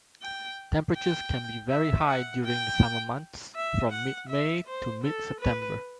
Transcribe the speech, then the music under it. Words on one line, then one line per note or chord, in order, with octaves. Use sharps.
Temperatures can be very high during the summer months, from mid-May to mid-September.
G5
G5
E5
F#5
G5
E5
F#5
E5
C5
A4
B4